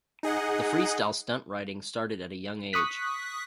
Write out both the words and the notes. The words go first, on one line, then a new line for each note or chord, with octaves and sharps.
The Freestyle stunt riding started at a young age.
D#4 G#4 D#5 F#5
C#6 D#6 F#6 B6